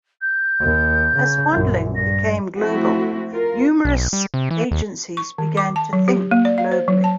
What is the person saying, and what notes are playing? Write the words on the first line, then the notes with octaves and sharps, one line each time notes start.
As modelling became global, numerous agencies began to think globally.
G6
D#2
C#3
A#1 F#2
G2 A#6
F3 A3 C4 E4 F#4
F4 A#4
B1
G3
C3
E3
D#2
C#6
D#3
D6
A5
F#3
G4
A#3
D5
F5
C5
F#3
A5